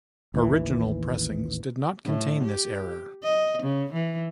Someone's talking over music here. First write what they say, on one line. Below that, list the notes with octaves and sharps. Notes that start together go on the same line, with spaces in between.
Original pressings did not contain this error.
A1 D#2 E3
A2
G4
D#5
C#3
E3